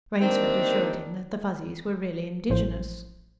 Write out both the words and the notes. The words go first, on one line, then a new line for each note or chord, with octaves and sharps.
Rainsford assured him that the Fuzzies were really indigenous.
D#3 G3 A#3 C4 D4 D#4
A1 A2 F3 C5